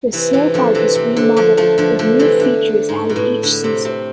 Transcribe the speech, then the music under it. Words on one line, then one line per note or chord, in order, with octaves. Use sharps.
The snowpark is re-modelled with new features added each season.
C3 E3
C3 E3
D3 F3
C3 E3
C3
D3
D3 F3
F3 A3
D3 F3
D3 F3
C3 E3
D3
G#2
B2
A2
D3
C3
C3